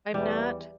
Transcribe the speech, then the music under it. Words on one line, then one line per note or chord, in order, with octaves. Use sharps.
I'm not
E2 E3 G3